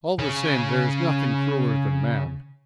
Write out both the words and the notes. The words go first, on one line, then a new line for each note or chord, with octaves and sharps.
All the same, there is nothing crueller than man.
C#3 C#5